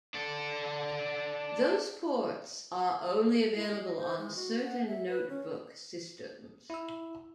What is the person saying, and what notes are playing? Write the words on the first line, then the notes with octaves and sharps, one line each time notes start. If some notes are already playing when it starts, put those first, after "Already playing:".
Those ports are only available on certain notebook systems.
D4 A4
E4
D#5
C5
G#3
F#4
F#5
E5
B4
C#4
E4 E6